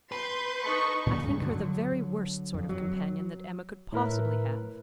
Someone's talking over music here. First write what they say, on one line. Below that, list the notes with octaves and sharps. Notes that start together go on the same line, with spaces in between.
I think her the very worst sort of companion that Emma could possibly have.
B4 C6 G6
D#4 A4 C#6
D1 A#2 C#3
C#2 G2
D3 F#3
F2
F#3
A2 E4 A#4 B4